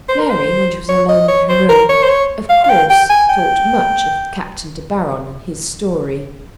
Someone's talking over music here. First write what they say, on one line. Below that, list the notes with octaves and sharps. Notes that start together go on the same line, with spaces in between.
Mary, when she was alone in her room, of course thought much of Captain De Baron and his story.
C5
A#4
C5
C#5
D#5
C#5
C5
A#4
C#5
C5
C#5
F5
F5
G5
G5
G#5
G5